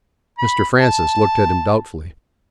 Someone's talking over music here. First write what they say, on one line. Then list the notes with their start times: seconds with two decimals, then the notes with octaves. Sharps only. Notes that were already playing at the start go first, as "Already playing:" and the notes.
Mr. Francis looked at him doubtfully.
0.38 B5
0.79 A5